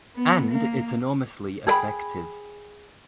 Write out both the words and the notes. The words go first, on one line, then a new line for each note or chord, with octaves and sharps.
And it’s enormously effective.
B3
A#3
G#4 A4 G5 B5